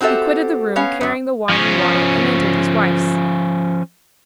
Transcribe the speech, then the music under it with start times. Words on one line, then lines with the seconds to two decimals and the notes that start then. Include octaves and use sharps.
He quitted the room, carrying the wine and water, and entered his wife's.
0.01 C4 F#4 G4 A4 E5
0.76 B3 C#4 F5
1.01 F#2 F#3
1.49 F3 C#4